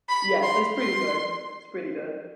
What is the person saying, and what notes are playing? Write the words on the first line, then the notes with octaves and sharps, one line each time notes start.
Yes, so, it's pretty good. It's pretty good.
B5
C6
C6